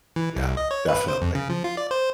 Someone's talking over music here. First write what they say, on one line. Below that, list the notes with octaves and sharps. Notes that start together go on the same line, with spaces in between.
Yeah, definitely.
E3
C2
D#5
C#5
B4
C5
F2
C#3
F3
F4
D5
C5